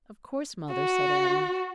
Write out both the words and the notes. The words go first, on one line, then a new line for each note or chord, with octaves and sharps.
"Of course, Mother," said Adam.
F#4